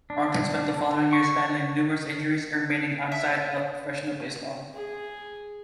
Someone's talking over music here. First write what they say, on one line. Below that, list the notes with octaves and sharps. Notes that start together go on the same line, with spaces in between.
Elarton spent the following years battling numerous injuries and remaining outside of professional baseball.
D4
C#6
E5
G#4